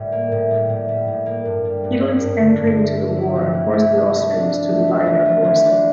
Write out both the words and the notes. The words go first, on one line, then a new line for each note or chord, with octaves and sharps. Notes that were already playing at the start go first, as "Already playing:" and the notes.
Italy's entry into the war forced the Austrians to divide their forces.
Already playing: A2 G3
A#3
A2
G3
A2
G3
A2
A#3
G2
G3
G2
A#3
G2
D3
G2
A3
A3
E4
C3
E4
E4
A3
A3
D4
A3
A3
E3
E3
F4
E3
D4